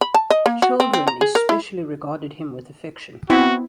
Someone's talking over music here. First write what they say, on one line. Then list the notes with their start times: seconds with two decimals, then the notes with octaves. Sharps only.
Children especially regarded him with affection.
0.01 B5
0.14 A5
0.30 D#5
0.46 A#3
0.62 F#4
0.80 C4
0.93 C4
1.08 A#5
1.21 G#4
1.35 A#4
1.49 E4
3.30 B3 C4 E4 F#4